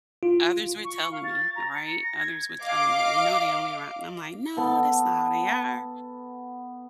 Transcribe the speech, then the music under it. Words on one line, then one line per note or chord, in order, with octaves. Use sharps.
Others were telling me, th right? Others were telling me, "You know they only rot" And I'm like, "No, that's not how they are."
F4
C#6
F5
A6
A#5
C#7
A#6
G#6
D#5 F5 D6
B3 A4